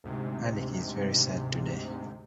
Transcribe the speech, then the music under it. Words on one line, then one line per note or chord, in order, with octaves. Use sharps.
Hardik is very sad today.
D2 G#2 C3